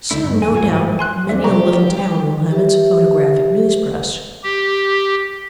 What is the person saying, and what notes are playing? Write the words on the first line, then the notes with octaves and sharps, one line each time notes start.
Soon, no doubt, many a little town will have its photographic news-press.
C#2 D3 E4
G2
E2 G#5
G#2 F3 F#4 G#5
G#2 E3 F#4 G4
G#5 C6 F#6
E2 D4 C5 D5 E5
C3 G3 G4 A#5 C#6
G4 B4 E5
G4